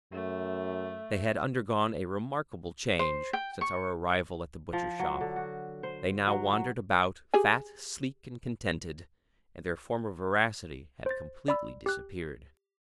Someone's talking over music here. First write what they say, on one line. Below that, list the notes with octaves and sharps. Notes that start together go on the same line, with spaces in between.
They had undergone a remarkable change since our arrival at the Butcher's Shop; they now wandered about, fat, sleek, and contented, and their former voracity had completely disappeared.
F#2 A3
C5
G5
C#6
F3
F#3
D3
F#4
C5
F#3
F#3
G4 G#4 G#5
C5 A6
D5 B5 E6
G4 F#6